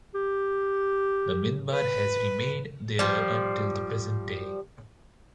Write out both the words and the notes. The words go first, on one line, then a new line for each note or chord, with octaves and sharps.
The minbar has remained there until the present day.
G4
B4
F3 G3